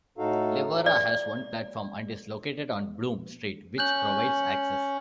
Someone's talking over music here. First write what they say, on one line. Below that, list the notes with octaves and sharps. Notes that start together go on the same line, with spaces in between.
Leawarra has one platform, and is located on Bloom Street, which provides access.
A2 D#4 F#4 A4 F5
D5
C#4 F#6 G6 F#7